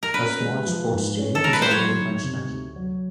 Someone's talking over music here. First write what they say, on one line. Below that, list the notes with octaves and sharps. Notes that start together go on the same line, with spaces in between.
A small sports stadium is already functional.
A#4
C#4 B4
G#3
F3
G#2
C#4
A4
G#3 A#4
B4
C5
F#3 C#5
D#3
C3
D2
F#3